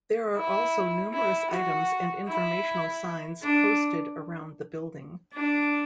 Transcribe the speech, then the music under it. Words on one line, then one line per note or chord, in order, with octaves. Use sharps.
There are also numerous items and informational signs posted around the building.
E4
E4
F#4
E4
D4
D4